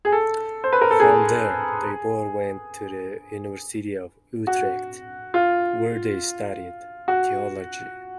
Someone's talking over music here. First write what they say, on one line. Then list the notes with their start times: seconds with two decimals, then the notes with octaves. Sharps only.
From there, they both went to the University of Utrecht where they studied theology.
0.05 G#4
0.12 A4
0.64 C5
0.73 B4
0.81 A#4
0.91 A4
1.00 G#4
4.47 F#4
5.34 F4
7.08 F#4